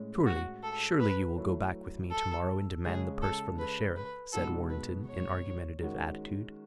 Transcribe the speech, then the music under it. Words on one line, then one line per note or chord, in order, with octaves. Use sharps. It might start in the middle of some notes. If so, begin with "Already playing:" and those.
"Surely, surely, you will go back with me to-morrow and demand the purse from the Sheriff?" said Warrenton, in argumentative attitude.
Already playing: A2 G#3 C#4
F#4
A4
B4
F#3 A3 E4
A4
C#3 G#3 C#4 G#4
A4
B4
B4
B2 G#3 B3 D#4 F#4 A4
B4
C#5
D#3 G#3 C#4 F#4